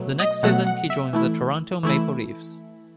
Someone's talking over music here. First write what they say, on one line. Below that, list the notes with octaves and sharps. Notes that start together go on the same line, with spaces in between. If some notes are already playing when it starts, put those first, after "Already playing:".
The next season, he joined the Toronto Maple Leafs.
Already playing: B2 F#3 A3
D#5
B2 F#3 A3 F#5
F#5
E5
E3 A3 E4
E3 A3 E4